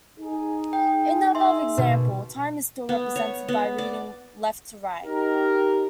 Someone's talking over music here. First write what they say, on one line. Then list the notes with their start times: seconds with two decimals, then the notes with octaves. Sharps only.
In the above example, time is still represented by reading left-to-right.
0.19 D#4 G#4
0.73 G5
1.35 E5 C6
1.78 B2
2.89 B3
3.16 C#5
3.48 B3
3.78 D5
5.04 D#4 G4 A#4